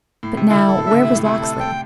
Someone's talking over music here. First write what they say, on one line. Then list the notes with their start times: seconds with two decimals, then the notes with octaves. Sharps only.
"But now, where was Locksley?"
0.23 A2
0.37 C3
0.50 D3 E4
0.68 A4
0.78 A2
0.86 D3 E5
1.03 C3 E4
1.15 A2
1.23 C3 E4
1.41 A4
1.60 G5